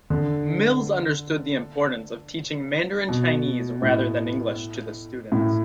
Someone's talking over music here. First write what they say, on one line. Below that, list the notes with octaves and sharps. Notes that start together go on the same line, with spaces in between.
Mills understood the importance of teaching Mandarin Chinese rather than English to the students.
D3
B2
A2
A2